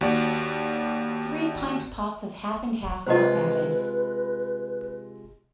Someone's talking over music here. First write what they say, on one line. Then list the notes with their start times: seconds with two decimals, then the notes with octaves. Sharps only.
Three pint pots of half-and-half are added.
0.01 D#2 F#4 D5
3.07 C3 G#3 F4 B4 C5 D#5